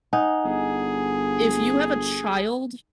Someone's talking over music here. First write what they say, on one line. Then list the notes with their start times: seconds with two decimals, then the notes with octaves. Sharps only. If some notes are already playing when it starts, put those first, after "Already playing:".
If you have a child
0.13 D#4 F#5 G#5
0.44 G1 G#4